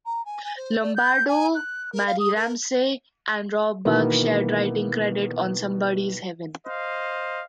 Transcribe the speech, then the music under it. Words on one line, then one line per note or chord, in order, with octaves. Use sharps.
Lombardo, Mary Ramsey and Rob Buck shared writing credit on "Somebody's Heaven".
A#5
G#5
G#5
C5
D5
G6
G#5
F#6
A#4
F5
D#6
A#4
B2 D#3 E3 A#3 B3
C5 D#5 F5